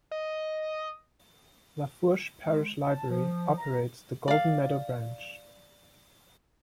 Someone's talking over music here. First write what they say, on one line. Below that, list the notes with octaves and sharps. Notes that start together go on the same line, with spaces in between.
Lafourche Parish Library operates the Golden Meadow Branch.
D#5
G#3
A5
F3
A#5
D5 F5